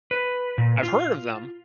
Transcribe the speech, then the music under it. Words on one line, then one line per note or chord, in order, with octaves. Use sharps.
I've heard of them
B4
A#2
F4